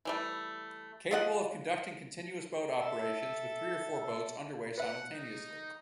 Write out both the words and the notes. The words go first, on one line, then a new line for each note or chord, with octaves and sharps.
Capable of conducting continuous boat operations with three or four boats underway simultaneously.
E3 G3 A3
F4 D#5 F#5
A4 E5
B4 E5 F#5
D#4